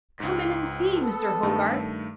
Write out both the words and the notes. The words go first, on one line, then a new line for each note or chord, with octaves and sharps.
Come in and see Mr. Hogarth.
C#2 G#2
B3 A4
G2 D#3 A3